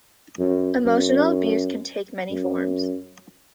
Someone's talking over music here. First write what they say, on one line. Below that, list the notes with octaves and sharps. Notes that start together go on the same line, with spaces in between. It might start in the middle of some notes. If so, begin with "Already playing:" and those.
Emotional abuse can take many forms.
F#2
F#2
F#2